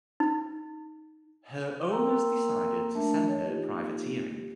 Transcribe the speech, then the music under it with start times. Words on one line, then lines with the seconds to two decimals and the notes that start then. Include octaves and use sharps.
Her owners decided to send her privateering.
0.20 D#4
1.91 A#3 A#4 G5 A#5 C6 E6
2.95 A3 D4 A#4 E5 A5
3.26 C#5 D#5
3.47 A#3 D#4 F4 G4